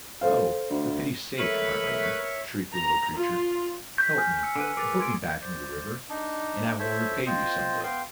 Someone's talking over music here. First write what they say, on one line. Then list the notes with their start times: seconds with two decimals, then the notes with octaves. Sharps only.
'Oh, for pity's sake, my brother,' shrieked the little creature, 'help me, and put me back into the river, and I will repay you some day.
0.21 A4 C5 F5
0.70 D2
1.39 E3 G#3 A3 A#4 B4 C#5 E5 C#6
2.73 A#5
3.15 F4
3.98 C#6 G6 B6
4.18 G#5 D#6 F6
4.43 E6 C#7
4.56 D3 B4
4.77 G#4 A#4 B4 D6 A6
4.98 C6 G#6 D7
5.41 C5 D5
6.09 D4 D#4
6.79 A4 C5 C#5 E5
7.26 C4 F4 C5 D#5
7.83 B3 F5 G5 C6